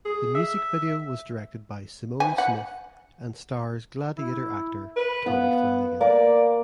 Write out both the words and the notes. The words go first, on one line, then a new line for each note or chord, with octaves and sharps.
The music video was directed by Simone Smith and stars "Gladiator" actor Tommy Flanagan.
G#4
E5
G#5
F#5
E4
B4
B3 B4 F5
A#3 D5